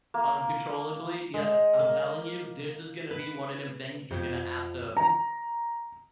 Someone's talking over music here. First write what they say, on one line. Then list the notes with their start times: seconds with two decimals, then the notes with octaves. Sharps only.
uncontrollably yes, I'm telling you, this is gonna be one of 'em things you're gonna have to
0.14 A#3
1.34 G#3
1.79 A#3
3.11 B4
4.11 F2 G6
4.97 A#5